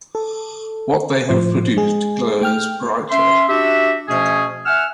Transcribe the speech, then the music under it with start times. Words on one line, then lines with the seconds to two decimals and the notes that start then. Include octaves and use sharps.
What they have produced glows brightly.
0.15 A4
1.29 A2 F3 C5
1.77 G#3 G#4
2.42 A3 G5 F6
3.11 C#4 E5 C6
3.49 D4 F#4 G4 E5
4.09 B2 F3 A3 C#4 G#4
4.66 E5 F#5 G#5 E6 F6